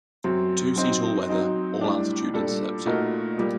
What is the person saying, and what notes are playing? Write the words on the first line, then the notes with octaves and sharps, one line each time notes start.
Two-seat all weather, all altitude interceptor.
F#2 F#3 C4
F#3 C4 D#4
F#3 C4 D#4
A2 G3 D4
A#2 G3 D4 A4
A#2 A3 D#4 F#4 A#4
A#2 G3 A#3